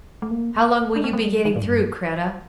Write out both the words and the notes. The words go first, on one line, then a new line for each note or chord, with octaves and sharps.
"How long will you be getting through, Kreta?"
A3
A#3
D4
C4
A#3
A3
G3
D#3
A2
G2